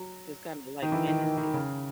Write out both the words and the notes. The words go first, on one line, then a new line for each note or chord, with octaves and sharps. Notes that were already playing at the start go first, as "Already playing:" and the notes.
just kinda, like, manage it.
Already playing: F#3
D#3
E3
D#3
D#3
D#3
C#3